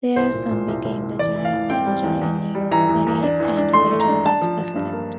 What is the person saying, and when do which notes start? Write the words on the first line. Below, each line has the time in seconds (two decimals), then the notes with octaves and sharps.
Thayer soon became the general manager in New York City and later vice-president.
0.16 C2 C5
0.33 A#2
0.51 A#2
0.68 C2
0.85 C2
1.02 C2
1.19 E2 D5
1.36 E3
1.45 F5
1.53 E3
1.70 C4 G5
1.86 G3
2.04 E2
2.21 E2
2.38 E2
2.55 G3
2.71 E3 A#5
2.89 E2
3.07 E2
3.23 D4
3.40 E3
3.57 D4
3.73 A3 C6
3.91 A3
4.00 A#5
4.08 D4
4.25 D4 A5
4.41 F3
4.59 F3
4.76 G2
4.93 A#3